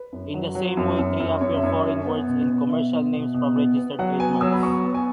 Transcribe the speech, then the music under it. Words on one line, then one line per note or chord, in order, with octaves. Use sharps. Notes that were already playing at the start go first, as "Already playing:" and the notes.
In the same way there appear foreign words and commercial names from registered trademarks.
Already playing: B4
F#2
F#3
F#3
F#2
F#2
F#2
F#2 C#5
E5
F#2 C#5
C#4
B3
B2
B3
B2 E5
B3
B2
B2
B3
B3
F#3 F#5
B3 G#5
F#3 E6
B5
B3 C#6
B3
G#5